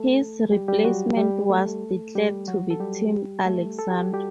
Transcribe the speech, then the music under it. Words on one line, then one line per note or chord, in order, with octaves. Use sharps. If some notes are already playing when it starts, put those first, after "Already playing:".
His replacement was declared to be Tim Alexander.
Already playing: A3 A4
G3 G4
G3 G4
F#3 F#4
G3 G4
A3 A4
G3 G4
F#3 F#4
A4
G3 G4
A3 A4
A4
G4
F#4
G3 G4